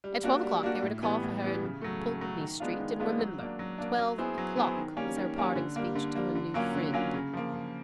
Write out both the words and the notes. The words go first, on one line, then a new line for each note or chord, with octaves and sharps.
At twelve o'clock, they were to call for her in Pulteney Street; and "Remember--twelve o'clock," was her parting speech to her new friend.
G3
A#3 D4 F#4
G3
A#3 D4 F#4
A2
E3 G3 B3
A2
E3 G3 B3
C#3
F#3 A3
C#3
F#3 A3
D#3
G#3 B3 D4 F4
D#3
G#3 B3 D4 F4
F#3
A#3 D4
F#3
A#3 D4
F#3
B3 E4 G#4 C5
F#3
B3 E4 G#4 C5
D#3
G3 A#3 C#4
D#3
G3 A#3 C#4
D3
G3 A#3
D3
G3 A#3
D3
F#3 A#3 C#4 F4
D3
F#3 A#3 C#4 F4
C#3
F3 A#3
C#3